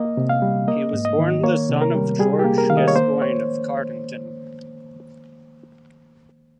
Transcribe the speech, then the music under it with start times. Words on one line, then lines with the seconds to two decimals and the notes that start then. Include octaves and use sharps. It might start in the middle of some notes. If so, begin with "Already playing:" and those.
He was born the son of George Gascoigne of Cardington.
Already playing: A#3 D#5
0.17 C3
0.29 F5
0.42 G3
0.68 A#3 D#5
0.93 G#2
1.05 D#5
1.19 D#3
1.44 A#3 C#5
1.70 C3
1.82 A#4
1.94 G3
2.19 G3 G#4
2.39 G4
2.44 A#3
2.58 A#4
2.70 D#3 F5
2.77 D#5
2.88 C#5
2.95 A#3 C5
3.22 C#5